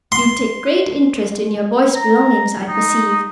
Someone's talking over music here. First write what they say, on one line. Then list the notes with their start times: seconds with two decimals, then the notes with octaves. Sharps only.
You take great interest in your Boyce belongings, I perceive.
0.12 C6
1.95 A#5
2.68 D#4